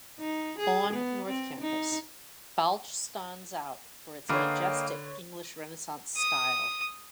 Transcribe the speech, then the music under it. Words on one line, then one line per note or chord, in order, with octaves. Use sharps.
On North Campus, Balch stands out for its majestic English Renaissance style.
D#4
G#4
B3
C4
D#4
D3 A#3 B4 C#5 D#5 F5 G5
D#6